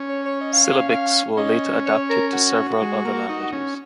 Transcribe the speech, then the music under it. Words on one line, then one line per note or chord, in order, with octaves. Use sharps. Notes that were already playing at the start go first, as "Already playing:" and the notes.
Syllabics were later adapted to several other languages.
Already playing: C#4
C#5
C#5
D#5
F5
F5
F5
F5
C#4 D#5
C#5
A#4
F#4
G#3
A#3
D#4
C#4